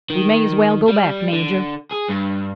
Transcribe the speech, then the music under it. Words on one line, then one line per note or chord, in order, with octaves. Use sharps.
We may as well go back, major.
D#3
G3
D3
G#4
G2